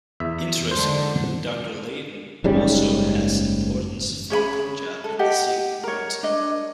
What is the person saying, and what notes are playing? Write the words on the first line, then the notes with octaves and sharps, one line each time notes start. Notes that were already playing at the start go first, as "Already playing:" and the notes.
Interestingly Doctor Leyden also has importance for the Punjab and the Sikh community.
E2 E5
G#2 D3 C5
F#1 G#2 G3 C#4
C#4 G#4 D5 B5
A4
G4 D#5 F#5 G5
A#4 C#5
D4 D#5